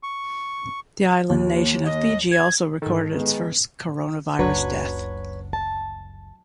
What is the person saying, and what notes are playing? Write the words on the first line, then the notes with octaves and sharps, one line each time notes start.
The island nation of Fiji also recorded its first coronavirus death.
C#6
D#2
D#5
G#6
G#2 D#3 A4
G#3 B3
F#1 C#2 F#3 D4 B4 C#5
A5